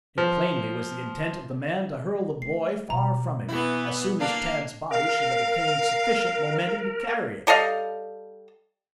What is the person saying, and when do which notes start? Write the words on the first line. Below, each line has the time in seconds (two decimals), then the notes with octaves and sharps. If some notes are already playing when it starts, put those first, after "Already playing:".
It plainly was the intent of the man to hurl the boy far from him, as soon as Tad's body should have attained sufficient momentum to carry it.
0.18 F3
2.42 A3 C7
2.90 B2 A#5
3.49 E3 B3 E4
4.20 A#3 D4 F5
4.91 A#4 F5
7.47 G3 A4 D#5 F5